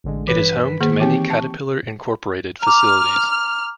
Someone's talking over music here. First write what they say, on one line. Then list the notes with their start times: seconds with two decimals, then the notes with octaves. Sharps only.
It is home to many Caterpillar Incorporated facilities.
0.04 A1 D3 G#3
0.28 G2 E3 B4 B6
0.81 D#3 A#3 G#4
1.00 E3 C4 D#4 G4 G5 C#6
1.30 A5
2.62 A#5 D6 F6